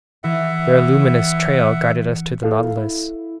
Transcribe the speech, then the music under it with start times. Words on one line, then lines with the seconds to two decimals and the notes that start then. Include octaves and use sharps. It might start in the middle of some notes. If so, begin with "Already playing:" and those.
Their luminous trail guided us to the Nautilus.
0.24 E3 E5 F#5
2.43 E4 A4 F5
2.77 E4